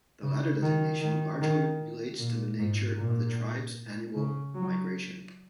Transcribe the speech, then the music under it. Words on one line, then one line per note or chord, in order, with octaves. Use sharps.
The latter designation largely relates to the nature of the tribe's annual "migration".
C#3
D#3
D#3
D#3
A#2
G#2
A#2
C#3
F#3